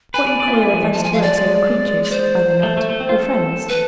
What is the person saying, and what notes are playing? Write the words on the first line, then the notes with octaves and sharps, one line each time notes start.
"What you call your advanced works are your creatures, are they not--your friends?"
B4 G#5
D5
D5
E4
F4
E4
F3
E3
F3 A5
G#5
F5
D5
G#3
D5
C5
A3
A3
A3
C4
F4
A4
B4